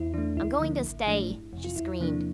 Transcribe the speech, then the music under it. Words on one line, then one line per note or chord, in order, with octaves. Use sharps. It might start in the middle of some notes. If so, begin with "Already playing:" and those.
"I'm going to stay!" she screamed.
Already playing: E2 E4
E3 A3 D4
D2 E4
D3 F3 A#3
A1
A2 F3 A3 D4
G1
F2 C3
F4
E2 E4
C3 F3 A#3 D4